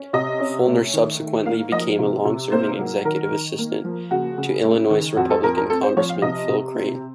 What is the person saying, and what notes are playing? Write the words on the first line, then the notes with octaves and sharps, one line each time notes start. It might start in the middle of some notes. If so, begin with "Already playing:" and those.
Feulner subsequently became a long-serving executive assistant to Illinois Republican congressman Phil Crane.
Already playing: C#4
C3 D#5
C#4
A3
D#3
D#3
A#3 F5
F3 D#5
C3
C3
A#3 C5
F#3
D#3 A#4
D#3
A#3
F3
C#3 F#4
C#3
A3
D#3
F2 F#4
A4
F2 A#4
A#4
C4 A4
C5
F3 C#5
F5
C3 D#5
C3
C4